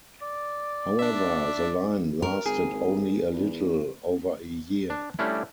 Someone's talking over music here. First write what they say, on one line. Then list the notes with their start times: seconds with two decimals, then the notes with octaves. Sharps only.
However, the line lasted only a little over a year.
0.22 D5
0.99 D4 E5
2.22 A#4
2.46 G#1 G#4
3.33 E2
4.90 D4
5.19 G3 A3 C#4 D4 E4